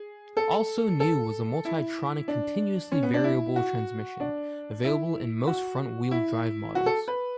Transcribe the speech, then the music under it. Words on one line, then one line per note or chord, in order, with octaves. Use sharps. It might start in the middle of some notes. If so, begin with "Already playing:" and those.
Also new was the multitronic continuously variable transmission, available in most front-wheel drive models.
Already playing: G#4
A4
A4
E4
D4
C#4
B3
D4
E4
F#4
D4
E4
F#4
E4
F#4
A4
B4